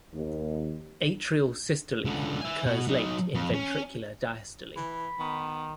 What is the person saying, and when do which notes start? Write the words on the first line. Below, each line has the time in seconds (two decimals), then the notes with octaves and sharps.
Atrial systole occurs late in ventricular diastole.
0.13 D#2
2.05 C#2 D3
2.41 E5 G#5
2.66 B2 F#4
2.88 F#3 D#4
3.35 F2
3.54 C#4
4.77 E3 B5
5.19 D#3 B3